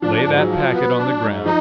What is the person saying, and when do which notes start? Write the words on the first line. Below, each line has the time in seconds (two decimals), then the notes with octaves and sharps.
"Lay that packet on the ground."
0.02 F3 D4
0.26 G#2
0.38 F#3
0.50 F3
0.74 B3
0.98 D4
1.21 G#2
1.45 F3 D#4